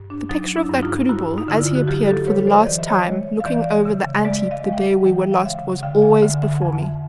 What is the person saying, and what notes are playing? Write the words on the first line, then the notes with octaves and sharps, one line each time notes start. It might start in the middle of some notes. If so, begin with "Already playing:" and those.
The picture of that koodoo bull as he appeared for the last time looking over the ant-heap the day we were lost was always before me.
Already playing: G2
D4
F#3 D#4
D4 E4
G2
D#4 F4
G2 E4 F#4
D#4
D3 E4
F4
F#4
F#3 F4 G4
G4 A4
F#3 B4 C#5
C5 D5
E3 D#5
E5
C#5 D#5
G#3
F5
E3 D5 E5
C#3
G#3 D5 E5
D#5 F5
G#3
G5
E5 F#5
E3 G5
F#5
F5
C#3 E5 F#5
D3 F5 G5
F#5 G#5
D3 E5 F#5
E5 F#5
F2